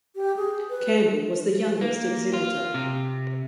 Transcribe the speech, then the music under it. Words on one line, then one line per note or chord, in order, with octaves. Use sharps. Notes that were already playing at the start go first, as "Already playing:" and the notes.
Campbell was the youngest exhibitor.
G4
G#4
B4
A#3
F4
C3